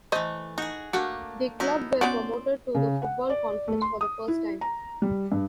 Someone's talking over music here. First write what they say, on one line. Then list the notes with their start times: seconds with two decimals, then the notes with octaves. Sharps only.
The club were promoted to the Football Conference for the first time.
0.12 E3 A3 C5 D#5
0.58 D#4 F#4 G#4
0.93 A3 A#3 D4 F#4
1.60 F#3 B3 D#4 E4
2.01 B3 C#4 F#4 C5 D5
2.75 C#3
3.02 F#5
3.30 D5
3.68 A3
3.82 C6
4.01 D#6
4.28 E4
4.61 A#5
5.02 G3
5.32 G2